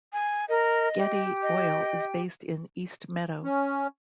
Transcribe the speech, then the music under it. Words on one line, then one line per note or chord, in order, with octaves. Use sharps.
Getty Oil is based in East Meadow.
G#5
A#4 D#5
G4 G5
D#5
C#4